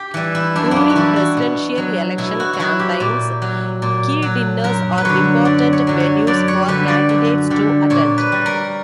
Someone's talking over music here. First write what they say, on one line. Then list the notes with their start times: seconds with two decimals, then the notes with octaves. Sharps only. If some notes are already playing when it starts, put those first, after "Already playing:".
During presidential election campaigns, key dinners are important venues for candidates to attend.
Already playing: G4
0.14 E3 G3
0.35 E4
0.55 F#2 D4
0.71 A#3 B3
0.90 F#4
0.96 E3 G3 E4
1.16 F#4
1.37 B2
1.78 F#3
2.18 B2 E4
2.40 F#4
2.53 F#4
2.60 F#3 E4
2.79 G4
3.00 A#2
3.42 F#3
3.82 A#2
4.22 F#3
4.64 F#2 A#4
4.98 B4
5.05 D3 F#3 C#5
5.45 F#2 D5
5.73 C#5
5.87 D3 F#3
6.00 C#5
6.27 F#2 D5
6.48 C#5
6.68 D3 G3 B4
6.88 D5
7.09 F#2
7.50 D3 G3
7.90 A#2 C#5
8.18 B4
8.32 G3
8.46 A#4